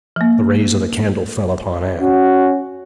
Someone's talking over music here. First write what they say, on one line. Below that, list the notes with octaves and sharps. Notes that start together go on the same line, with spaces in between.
The rays of the candle fell upon Anne.
F3 A#3
C#4 F#4